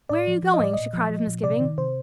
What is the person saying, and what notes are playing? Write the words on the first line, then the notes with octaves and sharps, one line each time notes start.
"Where are you going?" she cried with misgiving.
A2 D5
F3
F3
D#5
A2 D5
A#2 D#5
F3
F3
A#2
C3 D5
D#3
C3 C5